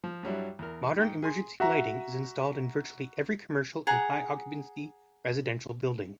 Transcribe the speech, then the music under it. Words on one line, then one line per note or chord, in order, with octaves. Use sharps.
Modern emergency lighting is installed in virtually every commercial and high occupancy residential building.
F3
G2 F#3 G3 E4
E2 A#4
G#2 G5
G#4 G#5 C6
F#4 E5 A#5
G#4 F#5 A#5